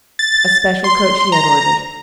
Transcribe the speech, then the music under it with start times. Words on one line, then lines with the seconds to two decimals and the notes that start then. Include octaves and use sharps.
A special coach he had ordered.
0.19 A6
0.84 C6
1.32 A#5